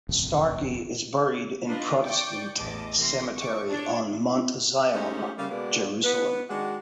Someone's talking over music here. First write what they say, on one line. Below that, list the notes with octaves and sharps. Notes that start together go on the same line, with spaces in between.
Starkey is buried in Protestant Cemetery on Mount Zion, Jerusalem.
D#1 A1 F2 C3
D4 D#4 F4 B4 D#5
D5 G5 C#6 D6
A1 E2 E3 D#5 A5 D6
C3 E3 A#3 C6 A#6
C#6 D6
D4 C#5
G#3 A3 C#4 D#4 G4 C5
C#3 G3 A3 A#3 C#4 F5
B2 G#3 A#3 B3 F#4 D5
B3 B4
D#3 G#3 D4 F#4